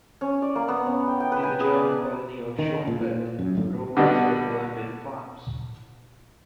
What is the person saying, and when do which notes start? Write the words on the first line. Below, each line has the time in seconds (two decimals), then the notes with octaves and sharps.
In the German colony of Shonfeld, Romas were burned in farms.
0.21 C#4
0.42 D5
0.55 A#3
0.68 B3
0.86 C#4
1.08 G5
1.20 G5
1.32 B4
1.43 G#5
1.61 G#4
1.75 D5
1.89 A5
2.59 D#3
2.87 A#2
3.01 A#2
3.39 F#2
3.55 D1 G1 D2 A2
3.97 D3 G3 B3 F#4 D#5